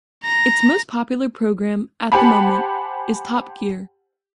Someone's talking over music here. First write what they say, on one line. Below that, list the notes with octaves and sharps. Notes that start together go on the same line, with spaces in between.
Its most popular programme at the moment is "Top Gear".
A#5 A#6
G4 C5 F#5 G#5 A5 B5